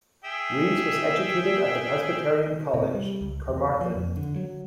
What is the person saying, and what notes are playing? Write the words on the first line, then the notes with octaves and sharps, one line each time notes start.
Rees was educated at the Presbyterian College, Carmarthen.
G#4 E5 G5
C3
G3
C#2
E2
F3
F2
D3
F#3